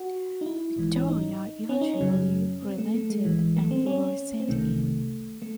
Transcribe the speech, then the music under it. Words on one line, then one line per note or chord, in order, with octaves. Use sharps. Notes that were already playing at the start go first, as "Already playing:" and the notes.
Victoria eventually relented and were sent in.
Already playing: F#4
D#4
E4
A1 G#2 E3
C#4
D#4
C#4
D#4
C#4
F#2 C#3 F#3
C4
A3
A3
G#3
A1 A2 E3
A3
C4
C#4
C4
C2 C3 D#3 A3
A3